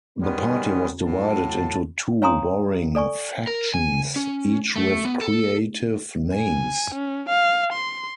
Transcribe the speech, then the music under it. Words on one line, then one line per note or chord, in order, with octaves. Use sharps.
The party was divided into two warring factions, each with creative names.
D#3 G3 G#3 B3 C#4
A2 F#3 A5
C#5 F5 G#5 A#5 C6 D#6
A4 D5 G#5 C#6
A#4
G#5
C#4
A3
B3
A4
G#5
C#4
F5
C6